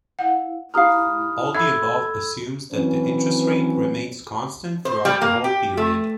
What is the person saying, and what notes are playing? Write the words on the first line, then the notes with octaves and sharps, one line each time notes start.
All the above assumes that the interest rate remains constant throughout the whole period.
E4 F5 F#5
D#4 E4 G4 F5 A#5 B5 D#6 F6
D#4 A4 E5 B5 C6 E6 G#6
E3 F#3 C4 C#4 B4
C5
G3
A#3
G4
A3